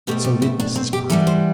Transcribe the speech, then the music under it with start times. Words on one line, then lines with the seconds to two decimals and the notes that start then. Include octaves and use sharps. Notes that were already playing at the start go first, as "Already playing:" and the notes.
So did Mrs Boffin.
0.07 B2 A3 C4 G4
0.24 G4
0.42 E4
0.60 D4
0.76 C4
0.93 G4
1.10 E3 G3 B3 A4
1.27 C5